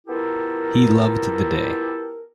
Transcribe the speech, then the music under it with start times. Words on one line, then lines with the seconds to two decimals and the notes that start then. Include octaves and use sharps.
He loved the day.
0.07 B3 E4 F4 G4 A4 A#4